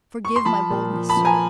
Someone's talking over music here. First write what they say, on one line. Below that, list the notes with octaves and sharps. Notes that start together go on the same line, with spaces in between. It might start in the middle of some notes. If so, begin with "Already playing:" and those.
Forgive my boldness, sir.
C#6
C6
F3 A5 B5
A#2
F3
A5 B5
F3
G#5 A#5